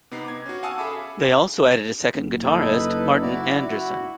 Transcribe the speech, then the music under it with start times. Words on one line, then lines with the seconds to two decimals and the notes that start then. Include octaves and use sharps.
They also added a second guitarist, Martin Andersson.
0.11 C3 B3 D#4 C7
0.25 D6 G#6
0.46 C#4 F#4
0.63 F5 F#5 G#5 A5 D#6 E6
0.78 G#4 A4 E5 B5 D6
2.14 F#1
2.43 D#4 E4 A4
2.79 B4
3.22 E4 F#4 D5
3.67 E4 F#4